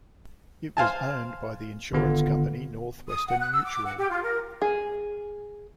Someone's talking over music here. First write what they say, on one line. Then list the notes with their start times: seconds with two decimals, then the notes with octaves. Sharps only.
It was owned by the insurance company Northwestern Mutual.
0.77 C5 F5 G#5 A5
1.92 G#1 D3 B3 F4 A4
3.08 D#6
3.27 F#5
3.39 F#6
3.51 E6
3.64 D6
3.85 F#5
3.97 G4
4.10 F4
4.22 A#4
4.62 G#4